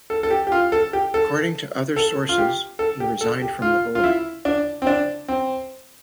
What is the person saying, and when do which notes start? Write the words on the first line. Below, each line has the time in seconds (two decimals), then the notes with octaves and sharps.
According to other sources he resigned from the board.
0.10 A4
0.23 A4
0.30 G4
0.47 G4
0.52 F4
0.72 A4
0.93 G4
1.14 A4
1.96 A4
2.29 F4
2.38 G4
2.79 A4
3.00 G4
3.21 A4
3.42 G4
3.62 F4
3.95 F4
4.04 E4
4.45 D4
4.82 C4
4.87 D4
5.28 C4